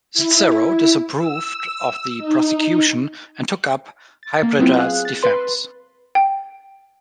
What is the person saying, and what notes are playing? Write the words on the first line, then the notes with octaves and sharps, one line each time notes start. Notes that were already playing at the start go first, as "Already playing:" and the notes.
Cicero disapproved of the prosecution and took up Hybrida's defense.
E4
E6
D#4
A6
A#3
F#3 B3 C4 E4 F4
G#4 F5 F#6
A6
B4 C6
G5